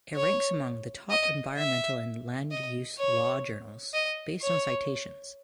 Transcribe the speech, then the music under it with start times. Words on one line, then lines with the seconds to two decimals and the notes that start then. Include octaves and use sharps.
It ranks among the top environmental and land use law journals based on citations.
0.15 C#5
1.10 D#5
1.57 E5
2.51 D#5
2.99 C#5
3.93 D#5
4.42 C#5